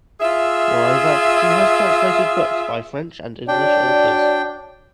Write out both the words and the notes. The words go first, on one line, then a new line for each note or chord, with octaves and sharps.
Moreover, he has translated books by French and English authors.
F4 G#4 E5
D4 F#4 C#5 D5 G5